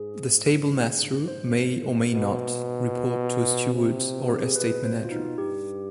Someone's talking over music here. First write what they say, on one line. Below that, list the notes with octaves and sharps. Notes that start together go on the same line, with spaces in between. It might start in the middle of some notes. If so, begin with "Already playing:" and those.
The stable master may or may not report to a steward or estate manager.
Already playing: G#2 G#4
C5
B2
C3
G4
G#4
B2 B4
C5
F4
D#4
G2 G4